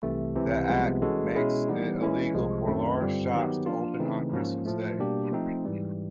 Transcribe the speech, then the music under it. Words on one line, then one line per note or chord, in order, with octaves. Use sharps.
The Act makes it illegal for large shops to open on Christmas Day.
C2 C3 E3 A3
C#2 C3 E3
C2 C3 F3 G#3 B3
E3 G#3 C#4 F#4 A4
B2 G#3 C#4 E4 G#4
E3 G3 B3 D#4
E3 G#3 C#4 E4
C2 C3 F3 G#3
F#2 D#3 F#3 A3 C4
G2 D3 G3 C4 F4
D#3 F#3 B3 D#4 G4
F3 A#3 D4 F4
C#3 E3 A3 C4 D#4
G#2 F3 A#3 C#4
A2 F3 A3
B2 G3 A#3 D4 G4
F3 A3 C4 D#4
G#2 E3 G3